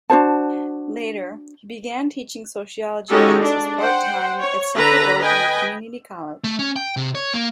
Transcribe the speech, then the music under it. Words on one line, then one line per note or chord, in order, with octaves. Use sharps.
Later, he began teaching Sociology classes part-time at Central Oregon Community College.
D4 F#4 C5 A5
G#3 C#4 D#4 F#4 G4 A4
D4
C5 F#5 G5
C#5
D3 A4 B4 A#5 B5
B4 D#5 G5 G#5 B5
A3
C#4
G5
C3
C#5
A#3